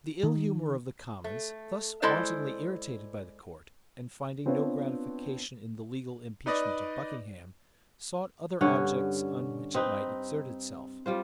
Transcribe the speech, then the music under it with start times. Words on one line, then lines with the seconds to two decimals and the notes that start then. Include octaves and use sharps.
The ill humor of the commons, thus wantonly irritated by the court, and finding no gratification in the legal impeachment of Buckingham, sought other objects on which it might exert itself.
0.23 D#3
1.24 A3
2.02 G#3 E4 A4 C5 D5
4.45 B3 C4 D4 F4 B4 C#5
6.46 D#4 B4 D5 D#5
8.61 G2 D3 C#4 F#5
9.74 C4 D#4 B4
11.06 G3 F4 C5